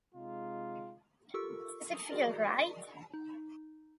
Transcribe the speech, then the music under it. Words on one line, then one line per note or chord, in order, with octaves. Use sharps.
Does it feel right?
C3 G#3 D#4 F4
F4 G4 A4 A#4 C#6 E6
F#4 G#4 A#4 D5 D#5
D#4